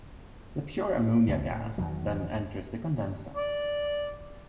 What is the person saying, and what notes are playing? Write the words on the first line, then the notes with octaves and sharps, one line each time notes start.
The pure ammonia gas then enters the condenser.
C#2
A2
E2 D#3 F#3
D5